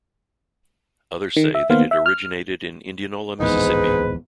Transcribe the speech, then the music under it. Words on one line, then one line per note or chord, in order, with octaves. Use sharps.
Others say that it originated in Indianola, Mississippi.
D#3
E5
D#3 A#3 B3 C5 F5
E5
F6
D1 A#1 E2 G#2 D#4 B4